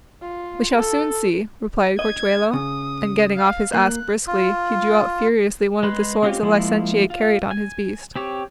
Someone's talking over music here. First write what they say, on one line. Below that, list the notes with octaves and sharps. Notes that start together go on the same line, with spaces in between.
"We shall soon see," replied Corchuelo, and getting off his ass briskly, he drew out furiously one of the swords the licentiate carried on his beast.
F4
A4
D#5 G#6
C#3 D#6
F5
A#3 F#6
F4
G#3 B4 C6 F#6
G#3 C4 C#4 F4 G4
F3 G#3 A#3 E4
F4
G#5
C4 G4 C#5